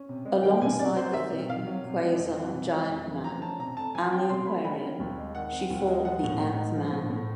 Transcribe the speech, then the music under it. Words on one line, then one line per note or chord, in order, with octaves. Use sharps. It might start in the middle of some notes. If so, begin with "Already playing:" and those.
Alongside the Thing, Quasar, Giant-Man, and the Aquarian, she fought the Nth Man.
Already playing: C#4
C3
G#3
D#3 G5
C3 G#5
C3 D5
F#3 C5
D#3 E5
C3
C3 F5
F#3
C3
G#3
F2
E3
C3
G#3
F2
E3
F3 A#5
C#4 A5
C3 A#5
A3 A5
F3 G#5
C#4 G5
C3 C6
A3 B5
D#3 B5
C4
D#2
G#3
D#3 F#5
C4
D#2
G#3
F3 F#5
A2
A2
G#3
F3
A2
A2